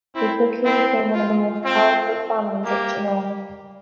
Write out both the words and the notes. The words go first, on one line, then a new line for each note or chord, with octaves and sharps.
They quickly became one of the most powerful families of Genoa.
C4 E4
C4 E4
F4
C4 F4
A#3 G4